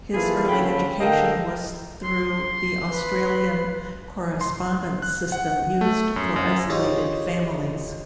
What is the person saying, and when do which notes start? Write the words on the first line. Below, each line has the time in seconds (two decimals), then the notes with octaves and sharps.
His early education was through the Australian correspondence system used for isolated families.
0.14 E3 A#3 F4 G#4 A4 B5
0.48 D3 C#4 F4 G5 B5
1.00 D3 A#4 D#5 F5 G5
2.04 C6
2.90 B4
4.41 C6
5.02 F#6
5.32 F#5
5.81 A3
6.16 F#2
6.36 F#2
6.70 D#4 F4 G4 G#4 C5 C#5